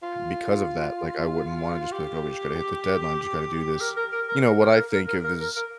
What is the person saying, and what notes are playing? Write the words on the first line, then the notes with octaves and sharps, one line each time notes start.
because of that, like, I wouldn't wanna just be, like, "Oh, we just gotta hit the deadline. Just gotta do this," you know, what I think of is
F4
G4
A#4
A#4
A#4
A#4
A#4
A#4
A#4
A#4
A#4
A#4
A#4
A#4